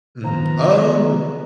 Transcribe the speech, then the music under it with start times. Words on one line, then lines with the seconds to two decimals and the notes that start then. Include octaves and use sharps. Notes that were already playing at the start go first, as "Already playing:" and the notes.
Mhm. Um,
0.24 D#3 F3 B3 A#5